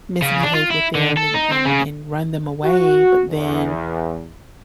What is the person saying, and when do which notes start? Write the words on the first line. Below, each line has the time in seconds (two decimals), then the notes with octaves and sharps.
misbehave with them and and and run them away, but then
0.22 C#3
0.43 D4
0.55 F4
0.70 E4
0.95 D3
1.17 A4
1.34 D#4
1.51 C4
1.65 C#3
2.65 F#4
3.30 E2